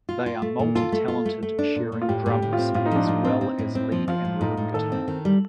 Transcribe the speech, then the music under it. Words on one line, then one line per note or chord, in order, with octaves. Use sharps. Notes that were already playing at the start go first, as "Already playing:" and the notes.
They are multi-talented, sharing drums as well as lead and rhythm guitar.
F4
F4
A3
A#2
F4 A4
A3
F4
A3
A3
D4
A#2
A#2
F4
A2 G4
A2 G4
A2
F4
C4
A2 F4
D#4
F3 D4
A2 D#4
C4
C4
A2
C4
F3
F3 F4
A2
A2 D#4
A2
D#3 A4
C4
D#3
G3